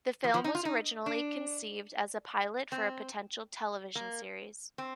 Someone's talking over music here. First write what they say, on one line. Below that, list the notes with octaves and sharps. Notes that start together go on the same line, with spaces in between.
The film was originally conceived as a pilot for a potential television series.
F3
F3
D#4
F4
D#4
D4
C4
A#3
C4